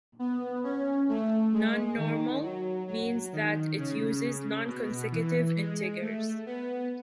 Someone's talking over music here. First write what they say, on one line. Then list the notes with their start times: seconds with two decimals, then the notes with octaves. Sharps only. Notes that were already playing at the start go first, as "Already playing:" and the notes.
Non-normal means that it uses non-consecutive integers.
0.19 B3
0.64 C#4
1.09 A3
1.53 G#3
1.98 D#3
2.42 F#3
2.88 F#3
3.33 D#3
3.78 C#3
4.67 B2
5.12 E3
5.56 G#3
6.01 A3
6.46 B3